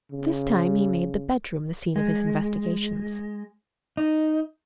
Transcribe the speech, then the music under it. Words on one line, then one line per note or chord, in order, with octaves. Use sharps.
This time he made the bedroom the scene of his investigations.
C#3
G#3
D#4